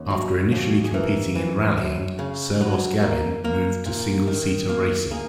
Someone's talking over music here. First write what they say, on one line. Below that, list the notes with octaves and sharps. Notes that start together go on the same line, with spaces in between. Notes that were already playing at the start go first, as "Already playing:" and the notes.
After initially competing in rallying, Servoz-Gavin moved to single-seater racing.
Already playing: D#2 C#4
F#3
D#2
G#4
E3 A#4
E3
F#2
C#3
F#3 B4
A#3
A#3 A#4
A#2
D#3
A#3
A#3 G#4